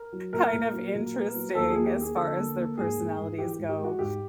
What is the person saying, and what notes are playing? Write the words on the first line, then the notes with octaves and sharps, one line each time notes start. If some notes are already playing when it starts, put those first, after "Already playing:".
kind of interesting as far as their personalities go,
Already playing: A#4
F#3
A#2 A#4
A#2
F#3
A#2
B3
F#3
D#2 A4
G#4
A#3
G4
A#3
G#4
D3 A4
A#3
A#3
G#2 G#4
G#2
G#2
E3 G4
G#2 G4
G4
G#3
F#4
G#2 G4